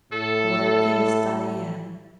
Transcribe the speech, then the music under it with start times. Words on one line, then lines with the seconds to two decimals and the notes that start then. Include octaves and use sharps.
Where is Diane?...
0.12 A2 A4